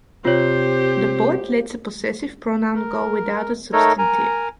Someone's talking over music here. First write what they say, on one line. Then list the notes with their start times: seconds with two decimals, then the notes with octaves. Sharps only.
The poet lets a possessive pronoun go without a substantive.
0.25 C3 C4 F4 G4 C5 C#5
2.75 A#4
3.73 A3 D#4 A4 A#4 C#5 D#5
3.98 A#4 G#5 A#5